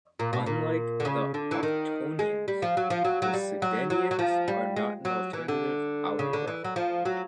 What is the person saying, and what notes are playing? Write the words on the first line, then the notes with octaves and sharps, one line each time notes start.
Unlike the octonions, the sedenions are not an alternative algebra.
A#2
B2
A#2
D3
C#3
D3
E3
D#3
G#3
G3
F3
F#3
F3
F#3
F#3
G3
F#3
F#3
F#3
F3
G3
G#3
F#3
E3
D3
C#3
D3
E3
F#3
F3
F#3